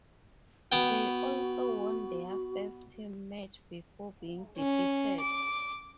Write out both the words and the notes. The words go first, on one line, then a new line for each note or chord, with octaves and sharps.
They also won their first team match before being defeated.
B3 F#4 G5
C#4
D6